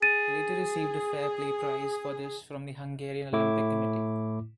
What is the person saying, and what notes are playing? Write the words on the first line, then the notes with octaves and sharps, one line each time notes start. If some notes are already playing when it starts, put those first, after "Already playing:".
He later received a Fair Play prize for this from the Hungarian Olympic Committee.
G#4 A6 D#7
A2 A3 E4 D6